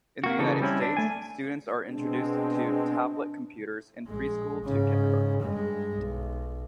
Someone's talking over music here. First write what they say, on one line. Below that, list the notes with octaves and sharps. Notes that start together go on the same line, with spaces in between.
In the United States, students are introduced to tablet computers in preschool or kindergarten.
A#3 F#4
C#3 E3 D#4 A4
G3 C4 C#4 E4
D4
A3 G#5
B2 G#3 C4 D4
A#1 G#3
G#2 C#3
G2 G#3
B1